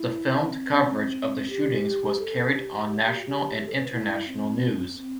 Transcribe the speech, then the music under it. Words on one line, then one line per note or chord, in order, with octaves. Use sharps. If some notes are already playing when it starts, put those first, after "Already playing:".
The filmed coverage of the shootings was carried on national and international news.
Already playing: E4
D4
C4
G4
A4
G4
F#4
G4
G4
A4
C5
B4
E4
C4
C4